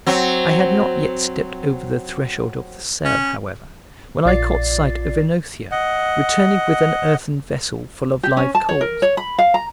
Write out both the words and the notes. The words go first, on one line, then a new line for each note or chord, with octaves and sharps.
I had not yet stepped over the threshold of the cell, however, when I caught sight of OEnothea returning with an earthen vessel full of live coals.
F#3 C4
C#4
A#1 F4 D5 A6 C7
D#5 F#5
G4
C#4
A5
C#5
A#4
C#5
B5
F5
A#5